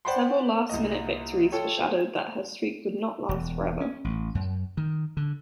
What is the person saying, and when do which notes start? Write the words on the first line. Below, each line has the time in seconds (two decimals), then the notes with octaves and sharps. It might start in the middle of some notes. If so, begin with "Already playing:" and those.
Several last-minute victories foreshadowed that her streak would not last forever.
0.05 C5 D5 F#5 G5 B5 C6
0.69 C2 A#2 D#5
1.52 F4 A4 C#5 G5
1.77 C5
3.29 E1
3.81 C#4
4.04 A1
4.35 F#2
4.77 D#3
5.17 D3